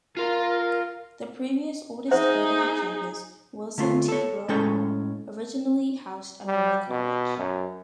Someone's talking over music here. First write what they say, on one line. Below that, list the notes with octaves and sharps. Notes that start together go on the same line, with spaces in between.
The previous oldest building on campus, Wilson T. Hogue Hall, originally housed Almira College.
F4 A#4 F5
D#4 G#4 C5 E5 F#5
D3 A3 F4
A4 C#5
A2 G#3 C#4 A4 G5
G3
B2
F#2